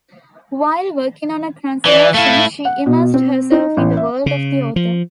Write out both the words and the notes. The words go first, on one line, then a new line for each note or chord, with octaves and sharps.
While working on a translation, she immersed herself in the world of the author.
E3 D5
A3 E4 F5
F#5
B2
C4
D#4
A1
E5
C#3
F3